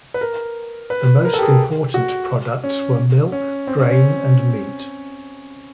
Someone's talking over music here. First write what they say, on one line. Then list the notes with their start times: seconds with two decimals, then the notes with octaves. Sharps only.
The most important products were milk, grain and meat.
0.14 B4
0.21 A#4
0.90 B4
1.25 A#4
1.33 A4
1.38 G4
1.42 G#4
1.51 G4
1.94 F#4
2.63 C#4
3.32 C#4
3.67 C4
3.79 C#4
3.90 C#4